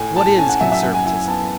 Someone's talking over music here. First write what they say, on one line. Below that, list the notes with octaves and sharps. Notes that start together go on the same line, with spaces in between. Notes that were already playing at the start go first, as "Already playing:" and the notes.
What is conservatism?
Already playing: A2 G#5
A2 A5
C#4 G#5
F#5
F#3 E5
E5
F#2 F#5
G#5
E4 G#5
B3 A5